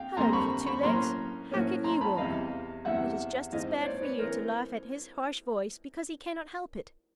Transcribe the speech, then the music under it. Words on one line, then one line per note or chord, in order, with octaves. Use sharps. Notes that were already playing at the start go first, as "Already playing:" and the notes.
Hello, little two-legs; how can you walk?' It is just as bad for you to laugh at his harsh voice, because he cannot help it.
Already playing: F2 F5 G5
F2 D3 G3 A#3 D4 A#5 C6
B5 C#6
B5 C#6
A2 F#3 A#3 C#4 A#5 C6
A2 F#3 A#3 C#4
A#5 C6
A5 B5
E2 C3 E3 G3 D#5 F5
E2 C3 E3 G3 E5 F#5
G#2 E3 G#3 C4 D#5 F5
C#5
C5 D5
B4 C#5
E3 G#3 C4 A#4 C5